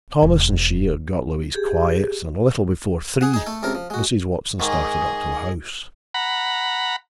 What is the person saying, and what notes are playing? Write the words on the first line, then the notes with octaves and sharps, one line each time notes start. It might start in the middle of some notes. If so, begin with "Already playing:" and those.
Thomas and she had got Louise quiet, and a little before three, Mrs. Watson started up to the house.
E1
G4 G#4
G#4 F#5
D#4 G#4
A3 A4
C#2 C3 A4 A#4
F3
G#3 F#4
G#2 D#3 G#4 D#5 G#5
F#5 A#5 B5